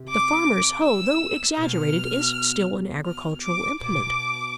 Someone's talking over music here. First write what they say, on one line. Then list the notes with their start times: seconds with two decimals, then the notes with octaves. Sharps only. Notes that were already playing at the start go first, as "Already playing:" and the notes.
The farmer's hoe, though exaggerated, is still an agricultural implement.
Already playing: C3
0.09 D6
0.84 E6
1.57 B2 F6
3.06 F6
3.43 D6
3.80 B2 D6